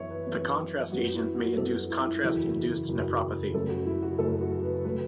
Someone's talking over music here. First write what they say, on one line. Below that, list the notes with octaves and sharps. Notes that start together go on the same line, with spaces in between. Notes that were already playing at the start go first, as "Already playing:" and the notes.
The contrast agent may induce contrast-induced nephropathy.
Already playing: F#2 E3 B3 C#5 E5
B4
F#2 E3 B3
F#2 F#3 B3 F#4
E4
F#4
F#2 F#3 B3 A4
F#4
E4
E4
F#1 E2 B2
F#1 E2 B2
F#2 C#3 A3 A4
F#4
E4
F#4
F#2 C#3 A3 A4
F#4
B4
B2 F#3 A3 B4